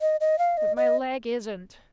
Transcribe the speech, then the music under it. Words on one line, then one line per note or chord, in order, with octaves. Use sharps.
But my leg isn't.
D#5
D#5
F5
D#5
D#5